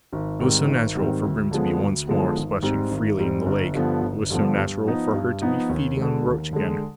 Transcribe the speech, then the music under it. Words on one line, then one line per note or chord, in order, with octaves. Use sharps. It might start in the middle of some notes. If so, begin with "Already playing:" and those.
It was so natural for Grim to be once more splashing freely in the lake; it was so natural for her to be feeding on roach again.
G#1
G#2 D#3 G3 C4
G#1
G#2 D#3 G3 C4
D2
D3 F3 G#3 B3
D2
D3 F3 G#3 B3
G#1
G#2 G3 C4
G#1
G#2 G3 C4
G1
G2 D3 F3 B3
G1
G2 D3 F3 B3
G2
F3 B3 D#4
G2
F3 B3 D#4
D#2
D3 G#3
D#2
D3 G#3